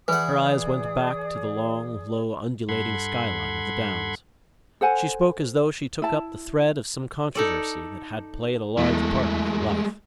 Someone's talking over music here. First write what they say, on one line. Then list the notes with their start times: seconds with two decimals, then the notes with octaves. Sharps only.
Her eyes went back to the long, low, undulating skyline of the downs. She spoke as though she took up the thread of some controversy that had played a large part in her life.
0.08 E3 G#4 B4 D5 F#5 D#6
2.69 G2 A4 F#5 B5 C6 G#6
4.81 A4 C5 F#5 G#5
6.02 E4 A5
7.35 D#4 A4 D5
8.78 E2 G#3 A3 E4